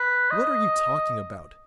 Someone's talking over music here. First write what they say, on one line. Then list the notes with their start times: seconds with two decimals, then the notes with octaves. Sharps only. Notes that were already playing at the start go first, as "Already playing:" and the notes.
What are you talking about?
Already playing: B4
0.31 D#5